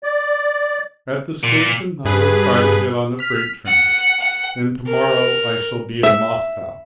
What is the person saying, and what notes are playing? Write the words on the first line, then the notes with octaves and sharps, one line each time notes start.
"At the station I will try to get on a freight train, and to-morrow I shall be in Moscow."
D5
A#2
G2 G#4 B4
F6 B6
F#5
F#5
A#4
E5